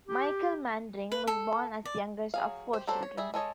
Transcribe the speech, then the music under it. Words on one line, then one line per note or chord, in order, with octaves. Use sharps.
Michael Manring was born as youngest of four children.
G4
B4
A4
D5
F#3 G#4 F5
G4 C5
F#3 D4 A4 C5
C#5
G3 G#4 E5
G#3 A4 C#5 D#5